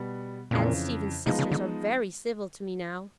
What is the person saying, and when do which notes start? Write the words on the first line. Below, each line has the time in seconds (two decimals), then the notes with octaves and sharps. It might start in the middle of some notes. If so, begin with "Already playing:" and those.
And Stephen's sisters are very civil to me now.
Already playing: B2 G3 B3
0.51 F2 A#2 C#3 E3
1.26 C3 F3 G#3 B3 D#4
1.39 C#3
1.51 D3